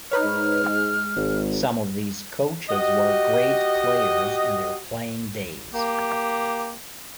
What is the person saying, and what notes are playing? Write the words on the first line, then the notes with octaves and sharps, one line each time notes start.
Some of these coaches were great players in their playing days.
D#4 B4 C#5 F6
G#2
G#3
G#1
F#4 G4 D#5
A#3 G4